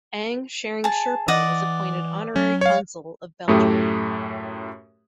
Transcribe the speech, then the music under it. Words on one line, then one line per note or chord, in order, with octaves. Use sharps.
Ang Tshering Sherpa was appointed Honorary Consul of Belgium.
G#4 A5
E3 D5 D#5 F#5
F#3 C#4
C#5 F5
F#2 A2 A3 G4 D#6